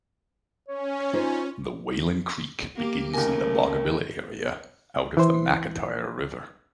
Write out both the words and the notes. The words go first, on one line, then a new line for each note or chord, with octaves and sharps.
The Whalan Creek begins in the Boggabilla area, out of the McIntyre River.
C#4 C#5
D#4 F4 C5
A#3 G4
D#2 C#3 A3 A#3 A#4 G#5
E3 C5